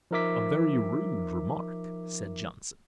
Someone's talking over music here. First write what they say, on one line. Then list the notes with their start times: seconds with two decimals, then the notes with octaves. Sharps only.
"A very rude remark," said Johnson.
0.11 F3 D#4 A#4 E5 D6 B6